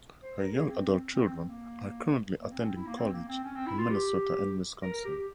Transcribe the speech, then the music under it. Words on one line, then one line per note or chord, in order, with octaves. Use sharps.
Her young adult children are currently attending college in Minnesota and Wisconsin.
C5
A#4
G#4
A#3
C4
C4
C4
C4
A#3
A#3
C4
C#4
C4
E4
A#3
C4
A#3
C4
C#4
C4
E4
F4
G4
A#4
A#4
G4
G4